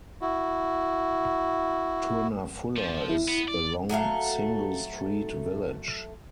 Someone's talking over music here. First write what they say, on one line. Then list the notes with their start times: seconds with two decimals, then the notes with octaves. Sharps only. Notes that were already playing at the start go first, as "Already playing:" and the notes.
Tournafulla is a long single-street village.
0.21 E4 F#4
2.77 F3
3.09 E4
3.28 B3
3.48 D5
3.89 F#3 A3 D#5 F5